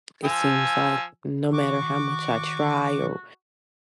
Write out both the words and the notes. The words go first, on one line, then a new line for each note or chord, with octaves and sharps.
it seems like, no matter how much I try, or
F3 G#5 E6
D#3 F#4 C#6 D6